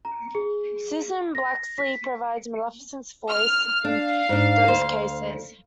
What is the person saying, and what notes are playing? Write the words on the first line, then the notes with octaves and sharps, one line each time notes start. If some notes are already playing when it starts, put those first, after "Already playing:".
Susan Blakeslee provides Maleficent's voice in those cases.
A#5
G#4
A#6
B6
F6
D4 F5
G#2 D4
D2 C5